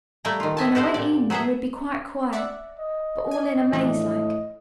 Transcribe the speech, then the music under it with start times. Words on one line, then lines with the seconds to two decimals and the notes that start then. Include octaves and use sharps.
When I went in he would be quite quiet, but all in a maze like.
0.25 G3 A3 A#3 A#4 G5 A#5
0.40 D#3 F4
0.57 D#5 E5 G#5 A5
0.75 F#4 G4 A4 C5
0.94 A#2 D5
1.30 F#3 B3 G#4 A4 E5
2.33 D5 E5 F#5
2.80 D#5
3.31 G#5
3.73 A2 E3 F3 D4